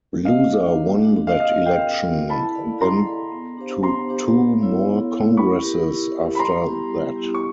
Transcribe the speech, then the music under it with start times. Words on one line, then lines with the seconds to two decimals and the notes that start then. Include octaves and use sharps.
Loser won that election, and then to two more Congresses after that.
0.25 A#3 D#5 F5
0.50 D4 F#4
0.76 A#3
1.02 D4 F#4
1.27 C4 D#5 F5
1.40 D#5 F5
1.54 F4 A#4
1.65 F5 G5
1.78 C4
2.03 F4 A#4
2.29 E4 A5 B5
2.55 A4 D5 F5
2.81 E4 A#5 C6
3.06 A4 D5 F5
3.32 B3
3.57 D4 G4 C5 F5
3.83 B3 A#5 C6
4.09 D4 G4 C5 F5
4.34 B3
4.60 E4 A4 C#5 F5
4.86 B3
5.11 E4 A4 C#5 F5
5.37 E4 B5 C#6
5.62 G4 A#4
5.88 E4
6.13 G4 A#4
6.35 B5
6.39 G3 A#5 C6
6.64 B3 E4 G4
6.90 G3
7.15 B3 E4 G4
7.34 C#6